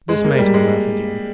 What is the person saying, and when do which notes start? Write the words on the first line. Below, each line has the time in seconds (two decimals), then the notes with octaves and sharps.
This made her laugh again.
0.09 G#3
0.24 A#3
0.39 G3
0.54 G#3